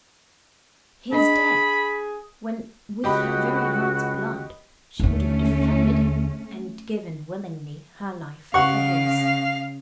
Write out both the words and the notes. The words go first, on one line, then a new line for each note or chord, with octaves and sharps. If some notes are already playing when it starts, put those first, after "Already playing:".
His death! when with her very heart's blood, she would have defended him and given willingly her life for his.
D4 G#4 D#5 B5
C#2 F#4 G4 D#5 B5
D#2 D3 A3 C#4
C#3 F5 F#5 C#6